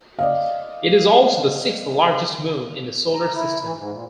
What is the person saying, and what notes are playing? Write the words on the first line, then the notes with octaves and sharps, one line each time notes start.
It is also the sixth-largest moon in the Solar System.
D5 D#5 F5
F2
A#5
E4
E3
G#2
A#2